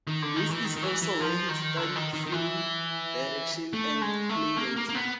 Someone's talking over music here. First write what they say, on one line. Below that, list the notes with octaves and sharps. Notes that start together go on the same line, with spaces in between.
This is also where he studied Film Direction and Playwriting.
D#3
D3
D#3
E3
D#3
D#3
E3
E3
F3
D#3
D3
D#3
D#3
D#3
E3
A3
G#3
A3
A#3
A#3
A#3
B3